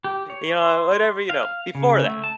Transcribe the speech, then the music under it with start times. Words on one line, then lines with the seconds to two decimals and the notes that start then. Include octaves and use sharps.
you know, whatever you know, before that,
0.04 G4
0.30 C#5
0.62 C6
1.30 F5
1.75 C#3
2.04 A3
2.24 A5